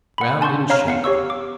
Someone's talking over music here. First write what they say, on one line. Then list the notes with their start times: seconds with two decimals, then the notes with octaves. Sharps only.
Round in shape.
0.18 F#5 B5
0.41 G#5 A5 C6 C#6 G6
0.70 C#5 F5 A#5 F6
0.87 B3 F5 F#5
1.04 G4 C#5 C#6 E6
1.30 D6